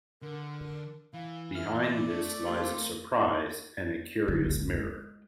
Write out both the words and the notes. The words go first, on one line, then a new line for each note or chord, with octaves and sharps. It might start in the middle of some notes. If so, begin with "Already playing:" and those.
Behind this lies a surprise, and a curious mirror.
D3 A#4
E3 F5
E5 F6
D5
A3 D4
A#3 C4 F4 G4
D3 F#3
G#1 D2
G#3